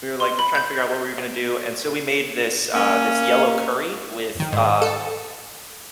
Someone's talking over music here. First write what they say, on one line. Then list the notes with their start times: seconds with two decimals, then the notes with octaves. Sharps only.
we were like we're trying to figure out what we were gonna do, and so we made this, uh, this yellow curry with, uh,
0.20 C6
0.39 B5
0.55 G6
2.75 A#3 C#4
4.40 D#3
4.52 G#2
4.82 A4